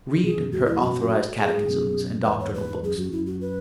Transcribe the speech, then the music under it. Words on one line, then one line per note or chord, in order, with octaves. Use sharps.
Read her authorized catechisms and doctrinal books.
B2 E3 G#4
F#2 B2
E2 G#2 F#4
E4
E2 G#2
F#2 B2 F#4
F#2
G#4
G#2
F#2 B2
E2 G#2 B4
C#5
B4
F#2 G#4
F#2 F#4
F#2 E4
F#4
B4